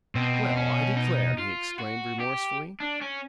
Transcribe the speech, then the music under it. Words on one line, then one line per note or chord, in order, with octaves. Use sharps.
"Well, I declare!" he exclaimed remorsefully.
B2 C4
C#4
D#4
F4
F#4
G4
D4
C#4